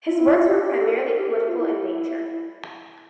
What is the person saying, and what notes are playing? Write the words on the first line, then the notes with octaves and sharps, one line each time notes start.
His works were primarily political in nature.
F4
E4
F4
G4
G4
A4
A#4
C5
A#4
G4
A4
A#4
F4
E4